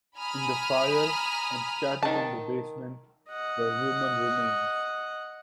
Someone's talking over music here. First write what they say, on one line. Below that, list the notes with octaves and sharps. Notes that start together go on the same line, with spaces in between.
In the fire, and scattered in the basement, were human remains.
G#5 A#5 B5 D#6 F6
D#3 A5
D#5 F#5